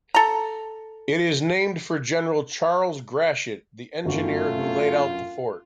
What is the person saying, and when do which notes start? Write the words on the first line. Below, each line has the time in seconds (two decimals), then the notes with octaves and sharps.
It is named for General Charles Gratiot, the engineer who laid out the fort.
0.15 A4 A#5
4.06 G1 F#2 A3 F4 F#4